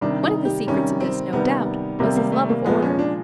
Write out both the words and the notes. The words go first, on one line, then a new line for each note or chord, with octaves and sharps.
One of the secrets of this, no doubt, was his love of order.
C3 D#3 G3 D4
D#4
G4
C3 D#3 G3 C#4
C4
C3 D#3 G3 B3
C3 D#3 G3 A#3
A#3
A3
A#3
A#2 F3 G#3 B3
C#4
D4